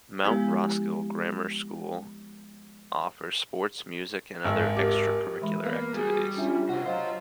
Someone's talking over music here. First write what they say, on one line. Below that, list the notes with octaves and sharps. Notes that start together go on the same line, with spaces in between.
Mount Roskill Grammar School offers sports, music and other extracurricular activities.
F3 G#3 B3 E4 G4
G#1
G4 A#4
E3 G#3 E5 B5
A#3 B3 B4 F5
G3 F#4 G#4
C#4 D4 F4 E5
C3 C4 F#4 F#5
F#3 F4 C5 D#5 F5